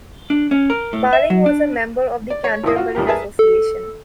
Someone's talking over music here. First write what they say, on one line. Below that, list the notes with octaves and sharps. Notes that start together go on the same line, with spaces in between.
Baring was a member of the Canterbury Association.
D4
C#4
A#4
A2
E5
F#3
D4
D5
C#5
A1 D#3 E4 D#6
F4 F#4
G#1 F2 G4 A#4
G#4 A#4 B4 E5 G#5 A5
A4